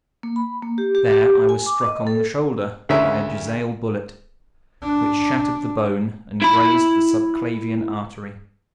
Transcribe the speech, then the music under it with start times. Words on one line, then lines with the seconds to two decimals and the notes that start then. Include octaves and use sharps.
There I was struck on the shoulder by a Jezail bullet, which shattered the bone and grazed the subclavian artery.
0.23 A#3
0.36 B5
0.63 A#3
0.78 G4
0.95 G4
1.12 G4
1.49 G#5
1.66 D6
1.86 D#5
2.07 A4
2.89 D2 C#3 C#4 A#4 E5
4.83 D4
6.42 E4 B5